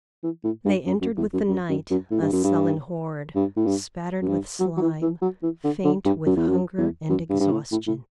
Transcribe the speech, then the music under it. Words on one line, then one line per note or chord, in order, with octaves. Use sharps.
They entered with the night, a sullen horde, spattered with slime, faint with hunger and exhaustion.
E3
A2
G2
F#2
F#2
E2
F#2
F#2
F#2
F#2
A2
G2
F#2
G2
G2
A2
G2
F#2
G2
F#3
F#3
E3
E3
F#3
E3
D3
D3
G2
F#2
E2
F#2
E2
F#2
G2
G2
A2
A2
A2